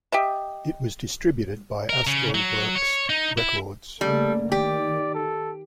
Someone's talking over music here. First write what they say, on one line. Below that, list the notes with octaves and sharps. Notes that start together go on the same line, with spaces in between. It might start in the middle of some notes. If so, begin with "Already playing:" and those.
It was distributed by Astralwerks Records.
G4 D#5 E5
A#4
C#3
F#3
C#5
D#4
E4
C#3 G3 A3 A#3 A4
D#3 G4 D5
A4